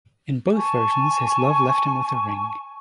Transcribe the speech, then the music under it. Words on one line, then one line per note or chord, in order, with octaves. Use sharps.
In both versions, his love left him with a ring.
G#5 A5 C#6